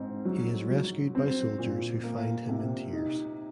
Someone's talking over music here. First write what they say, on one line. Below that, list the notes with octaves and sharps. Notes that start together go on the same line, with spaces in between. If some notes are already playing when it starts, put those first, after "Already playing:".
He is rescued by soldiers who find him in tears.
Already playing: G#2 C4
F#3
F#3
C4
A#2
A#3
C3
D#4